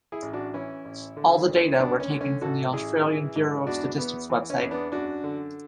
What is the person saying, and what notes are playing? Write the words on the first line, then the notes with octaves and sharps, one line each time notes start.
All the data were taken from the Australian Bureau of Statistics website.
E4 G#4
A1
D4 F#4
E3 C#4 E4
A1
D3
D2
D2 B3 D4
C#4
D3
C#4
A1 F#4 A4
A1 E4 G#4
E3
G#2
E2 D4 F#4
E2 B3
E3
C#4
E2
B3 D4
F#2 D4 F#4
D3